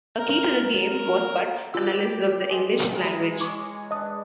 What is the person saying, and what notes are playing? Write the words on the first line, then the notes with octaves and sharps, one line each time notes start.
A key to the game was Butts' analysis of the English language.
A#4
A#4
F4 G4 B4 E6
G3 G#3
G#3 G#4 A#4
C#5 C#6 D6
D4 B4 D#5 D#6